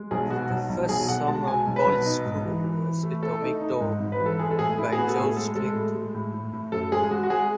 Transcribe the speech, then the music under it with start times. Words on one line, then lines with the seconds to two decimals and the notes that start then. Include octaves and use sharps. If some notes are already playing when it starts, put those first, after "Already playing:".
The first song on "Old School" was "Atomic Dog" by George Clinton.
Already playing: G#3
0.11 B1 G#4
0.30 B2 F#4
0.50 B1
0.69 B1
0.89 B1 G#4
1.08 B1 F#5
1.28 G#3 A5
1.48 B2 G#5
1.67 B1
1.76 B4
1.86 B1
2.06 D#4
2.25 G#2
2.45 E3
2.64 E3
2.84 E3
3.03 A3
3.22 A3 A4
3.42 D#4
3.61 D#4
3.81 G#2
4.00 G#2
4.12 B4
4.20 E3
4.26 A4
4.39 G#3 G#4
4.51 A4
4.59 A2 G#4
4.78 A2 E4
4.92 G#4
4.98 B3 F#4
5.08 A4
5.17 A2 G#4
5.36 G#3 A4
5.55 G#3 A4
5.75 A2
5.95 G#3
6.14 A2
6.34 A2
6.53 A2
6.72 F#2 A4
6.92 G#3 G#4
7.11 G#3 F#4
7.23 F#4
7.30 G#3 G#4